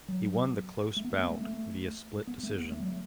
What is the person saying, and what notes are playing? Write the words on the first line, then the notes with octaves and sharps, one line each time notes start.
He won the close bout via split decision.
F#3
A3
B3
A3
B3
A3
A3
B3
A3
B3
A3
F#3
A3